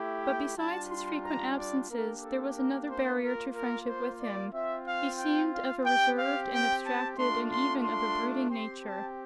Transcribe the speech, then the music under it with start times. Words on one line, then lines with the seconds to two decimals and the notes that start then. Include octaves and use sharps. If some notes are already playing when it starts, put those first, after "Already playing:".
But besides his frequent absences, there was another barrier to friendship with him: he seemed of a reserved, an abstracted, and even of a brooding nature.
Already playing: A3 E4 G4
0.23 G5
0.57 G3 D4 F4 A5
0.90 C6
1.23 A#5
1.56 D5
1.89 A#3 D4 G4 A#4
2.22 A4
2.55 A#4
2.88 C5
3.21 A#3 F4 A#4
3.54 A#4
3.87 C5
4.20 D5
4.53 C4 F4 E5
4.86 F5
5.20 G5
5.53 F5
5.85 C4 G4 G5
6.18 F5
6.52 G5
6.84 A5
7.17 A3 D4 F4 C6
7.51 C6
7.83 C6
8.50 C4 G4 C6
8.83 A5